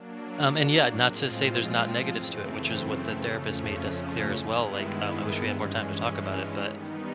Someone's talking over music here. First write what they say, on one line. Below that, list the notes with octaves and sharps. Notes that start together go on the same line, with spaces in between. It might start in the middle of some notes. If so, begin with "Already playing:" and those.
Um, and, yeah, not to say there's not negatives to it, which is what the therapist made us clear, as well, like, um, I wish we had more time to talk about it, but,
Already playing: F#3 A#3 D4
A2 F3 G#3 C4 F4
F#2 C#3 E3 A3 C4
F2 C#3 F3 A3 C#4
G2 D#3 G#3 B3 E4
G2 E3 G#3 C#4
D#3 G3 B3 D#4